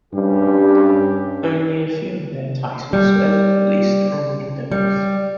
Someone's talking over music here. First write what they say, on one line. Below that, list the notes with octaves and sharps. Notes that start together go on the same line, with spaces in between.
Only a few of their titles were ever released on Windows.
G2 G3 C#4 G4
G3
G3